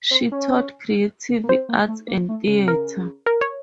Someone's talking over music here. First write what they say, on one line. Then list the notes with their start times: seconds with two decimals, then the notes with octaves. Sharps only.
She taught Creative Arts and Theatre.
0.11 C4
0.32 C#4
1.44 A#3
1.49 C4 C5
1.69 A#3
1.88 A3
2.08 A#3
2.29 A3
2.48 C#3
2.62 C3
2.68 A#4
2.75 C#3
3.26 A#4
3.41 C#5